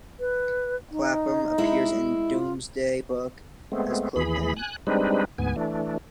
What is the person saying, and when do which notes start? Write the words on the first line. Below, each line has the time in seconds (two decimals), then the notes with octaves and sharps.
Clapham appears in Domesday Book as "Clopeham".
0.20 B4
0.91 D#4
1.58 G#3 E4
2.28 F4
3.72 G#3 A3 B3 C4
4.16 D#2 E3 G#4 B5
4.56 G#5 F#6
4.87 G3 G#3 C4 D4 D#4 B4
5.38 D2 G#2 B3 G#5
5.56 E3 A3 D4